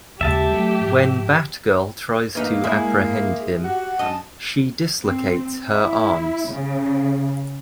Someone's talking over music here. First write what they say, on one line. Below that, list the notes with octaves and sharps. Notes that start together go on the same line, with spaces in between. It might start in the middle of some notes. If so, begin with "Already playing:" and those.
When Batgirl tries to apprehend him, she dislocates her arms.
D#2 C#3 G#3 G4 E5 A5
F#3 G3 A3
G#2 F3
E2 A#3 D#4 B4 F5
G#3 E4 G#4
F#4 G4
F#2 D#5 A5
C4
E4
C#3